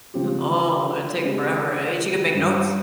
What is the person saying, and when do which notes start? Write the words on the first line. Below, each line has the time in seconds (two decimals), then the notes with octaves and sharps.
Oh, it take forever and she could make notes.
0.14 C#3 F3 C4 G4
1.24 C#3 G#3 C4 G4
2.33 G2 G3 C#4 F4